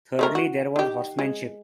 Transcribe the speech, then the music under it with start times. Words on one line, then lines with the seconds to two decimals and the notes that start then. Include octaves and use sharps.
Thirdly there was horsemanship.
0.19 G#3 A3 A#4
0.35 F#4
0.76 D#3 G4
1.19 G#3